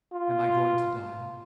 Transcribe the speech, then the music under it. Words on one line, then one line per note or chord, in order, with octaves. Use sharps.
Am I going to die?
F4